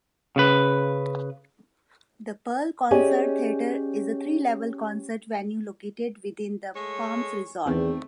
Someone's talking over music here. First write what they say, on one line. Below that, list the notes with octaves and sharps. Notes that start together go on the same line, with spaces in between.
The Pearl Concert Theater is a three-level concert venue located within the Palms Resort.
C#3 B4
C#4 G4 G#4 D5 D#5 G#5
G#3 A3 C#5
E2 D#3 A3 C4